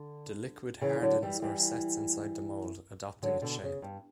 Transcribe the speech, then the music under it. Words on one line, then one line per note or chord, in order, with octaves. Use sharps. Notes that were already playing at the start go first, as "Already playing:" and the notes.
The liquid hardens or sets inside the mold, adopting its shape.
Already playing: D3
C#3 E3
D3 F#3
E3 G3
E3 G3
D3 F#3
B2 D3
C#3
G2